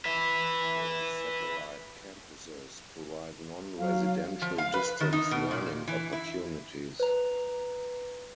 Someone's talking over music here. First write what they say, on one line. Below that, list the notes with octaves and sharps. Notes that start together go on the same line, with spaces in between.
The satellite campuses provide non-residential distance learning opportunities.
B4 E5
F#3 F5
F3
F5
B4
D#3
D#4
B2
A#2
E3
E4
B4 A#5